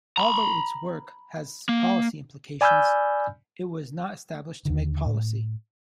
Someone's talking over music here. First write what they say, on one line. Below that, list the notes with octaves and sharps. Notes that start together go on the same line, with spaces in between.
Although its work has policy implications, it was not established to make policy.
A#5 B5
A#3
D5 G#5 B5 E6 F6 G6
D#2 D3 D#3
A2